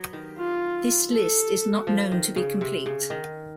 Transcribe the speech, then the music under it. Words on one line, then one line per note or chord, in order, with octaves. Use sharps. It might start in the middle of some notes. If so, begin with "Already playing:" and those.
This list is not known to be complete.
Already playing: F#3
D#3
F4
A4
F3
D#3
C#3
C3
C#3
D#3